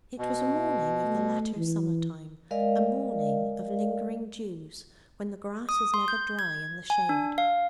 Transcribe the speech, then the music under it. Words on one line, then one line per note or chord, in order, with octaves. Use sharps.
It was a morning of the latter summer-time; a morning of lingering dews, when the grass is never dry in the shade.
B2
A3
E3
G#3 A#4 D5 D#5 F5
D#6
C6
G6
G#6
G#5
D4
F5